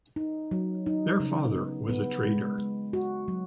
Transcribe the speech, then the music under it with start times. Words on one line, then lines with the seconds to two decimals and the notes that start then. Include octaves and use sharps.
Their father was a trader.
0.16 D#4
0.51 F#3
0.86 D#4
1.20 C#3
1.55 B3
1.89 B3
2.23 G#3
2.58 G#3
2.93 F#4
3.28 F#3